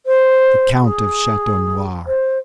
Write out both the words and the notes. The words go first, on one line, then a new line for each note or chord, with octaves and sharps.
"The Count of Chateau Noir."
C5
G#4
C5